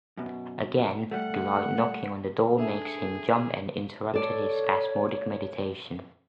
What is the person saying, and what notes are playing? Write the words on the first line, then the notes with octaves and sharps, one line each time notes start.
Again, the light knocking on the door makes him jump and interrupted his spasmodic meditation.
F#2 B2
G3 A3 F#5
D4 G#4 A4 E5
A4 C#5 D5